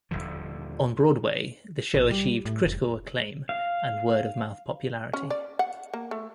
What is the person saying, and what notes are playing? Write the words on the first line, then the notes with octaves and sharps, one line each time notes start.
On Broadway, the show achieved critical acclaim and word-of-mouth popularity.
D#1 B1 D3 F3
A#1
G3
A2
F1
F5
C#4
D5
F#5
A#3
A3